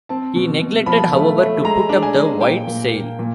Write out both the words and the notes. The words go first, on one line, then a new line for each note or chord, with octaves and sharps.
He neglected, however, to put up the white sail.
C4 A5
B2
B2
F3 B5
A3
A3
G#3 A#5
D4
G#5
G#3
A#2 G5
A#2
A#3
A#2